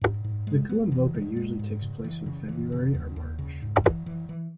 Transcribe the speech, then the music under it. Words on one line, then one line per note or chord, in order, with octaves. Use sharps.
The Kuomboka usually takes place in February or March.
G#2
G#2
G#3
B3
E3
G#3
G#3
G#2
C#3
E3
C#3
E3
C#3
D#2
D#2
C#3
G#2
E3
E3
E3